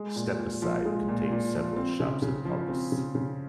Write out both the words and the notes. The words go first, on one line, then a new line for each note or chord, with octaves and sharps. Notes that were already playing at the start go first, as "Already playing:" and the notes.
Stepaside contains several shops and pubs.
Already playing: G#3
A#2
A#2
F3
G#3
A#2
A#2
F3
C4
C#3
C#3
F3
C4
C#3
C#3